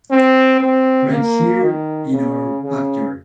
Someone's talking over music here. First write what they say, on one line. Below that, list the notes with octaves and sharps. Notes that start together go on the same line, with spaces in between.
Right here in our backyard.
C4
C4
A#3
D#3
C#3
C#3